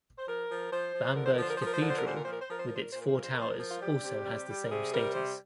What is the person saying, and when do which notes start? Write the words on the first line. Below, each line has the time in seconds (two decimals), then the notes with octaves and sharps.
Bamberg Cathedral with its four towers also has the same status.
0.18 C5
0.26 F3 A#4
0.49 F3
0.71 F3 C5
0.94 F3
1.15 D3 A#4
1.24 C5
1.32 A#4
1.37 F3 C5
1.49 A#4
1.57 F3 C5
1.66 A#4
1.74 C5
1.82 D3 A#4
1.90 C5
1.99 A#4
2.05 A#2 C5
2.16 A#4
2.24 F3 C5
2.32 A#4
2.40 C5
2.48 F3 A#4
2.58 C5
2.66 A#4
2.70 A#2 C5
2.82 A#4
2.91 A#2 C5
2.99 A#4
3.07 C5
3.14 F3 A#4
3.24 C5
3.32 A#4
3.37 F3 C5
3.49 A#4
3.59 F3
3.70 F4
3.81 G3 G4
4.03 C3
4.26 G3
4.47 G3
4.65 A#4
4.70 C3 G#4
4.92 G3 A#4
5.14 C3 C5